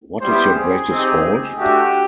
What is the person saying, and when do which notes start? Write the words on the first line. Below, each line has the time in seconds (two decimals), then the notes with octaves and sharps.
What is your greatest fault?
0.22 G3 B3 E4 G4 C5
0.56 G#4
0.90 C4 D#4 G4
1.58 A3 D4 F#4 G4